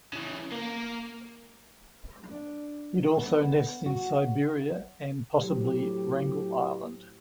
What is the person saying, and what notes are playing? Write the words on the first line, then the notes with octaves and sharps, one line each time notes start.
It also nests in Siberia and possibly Wrangel Island.
C#3 E3
A#3 A#4
D4
B3
F#4
A2 F#3 C4 G4